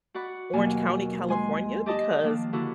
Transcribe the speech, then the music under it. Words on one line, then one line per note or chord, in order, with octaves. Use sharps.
Orange County, California, because
F#4 D5 F#5 B5
D#2 B2 F#3 A#3 G#5
G#3 G#5 C6
G4 D5 D#5 A5 D#6
D#3 F3 A#3 D4
D3 A#3 E4 F#4